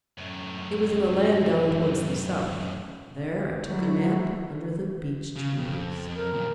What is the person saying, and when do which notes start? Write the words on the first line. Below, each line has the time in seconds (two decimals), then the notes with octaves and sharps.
It was in a land down towards the south--there I took a nap under the Beech Trees.
0.18 F#2 A2
3.65 F#3 E4 F#4
5.36 C#3
5.57 F2
6.16 A#4
6.33 D#2 A#2